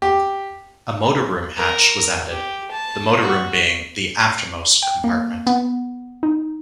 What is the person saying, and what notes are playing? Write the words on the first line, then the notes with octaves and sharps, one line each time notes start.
A motor room hatch was added, the motor room being the aftermost compartment.
G4
A#4
G4
A5
F#4
G5
A#3
B3
D#4